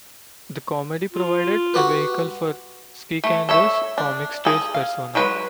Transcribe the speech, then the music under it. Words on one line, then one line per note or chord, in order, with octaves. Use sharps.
The comedy provided a vehicle for Schikaneder's comic stage persona.
F4
F#4 G4 B4
A3
A4 C#5 E5
D4
G#4 A4
F5
F#3 G#3 B4